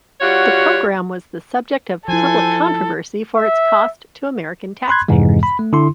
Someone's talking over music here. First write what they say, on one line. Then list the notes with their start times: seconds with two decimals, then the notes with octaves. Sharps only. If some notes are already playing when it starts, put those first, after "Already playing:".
The program was the subject of public controversy for its cost to American taxpayers.
0.21 G3 F4 F#4 C#5 F#5
2.08 F3 E4 A4 C5 G#5
3.36 E5
4.88 B5 C6 F#6 G#6
5.08 F2 G#2 C3 E3 G#3
5.43 B5
5.59 A3
5.73 D3 E4 C6